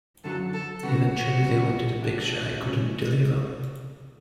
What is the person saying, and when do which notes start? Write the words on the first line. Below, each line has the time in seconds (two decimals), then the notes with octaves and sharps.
Eventually, they wanted a picture I couldn't deliver.
0.23 F#2 D3 F#3 A4
0.53 A4
0.82 C#3 G3 B3 F#4
1.12 F#4
1.42 E2 C#3 G3 B3
2.00 B2 A3 D4 G4
2.60 F#3 A3 C#4